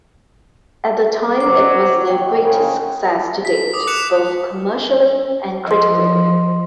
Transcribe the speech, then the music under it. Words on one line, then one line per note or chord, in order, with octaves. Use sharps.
At the time it was their greatest success to date both commercially and critically.
F#3 C5 D6
D#2 F#5 G5
F2 C#3
B6
D6 D#6
D6 F#6 C#7 E7 F7
F3 D#5 C6